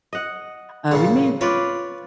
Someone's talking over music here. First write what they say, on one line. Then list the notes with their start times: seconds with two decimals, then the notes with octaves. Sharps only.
uh, we made
0.13 D#5 F#5
0.91 A#2 C#3
1.41 F4 B4 C#5 D5